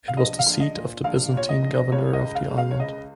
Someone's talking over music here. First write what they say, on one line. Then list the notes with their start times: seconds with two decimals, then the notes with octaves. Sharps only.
It was the seat of the Byzantine governor of the island.
0.08 F5
0.17 A#1 D#5
0.39 F5
0.47 A#1
0.60 D#5
0.76 A#2
1.04 A#1 F5
1.34 A#2 C#5
1.49 D#5
1.63 A#1
1.92 C#2 C#5
2.13 D#5
2.21 C#3
2.35 F5
2.50 C#2
2.58 F5
2.71 C#5
2.79 C#3 D#5